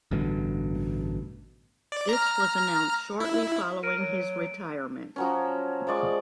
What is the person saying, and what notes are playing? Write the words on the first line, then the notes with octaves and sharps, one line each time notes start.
This was announced shortly following his retirement.
A1 G2 B2 D3
D5
A#5 F6
E4
A#4 D7 D#7
F#3
F3 F#3 C#4
F3 G#3 D5 C#6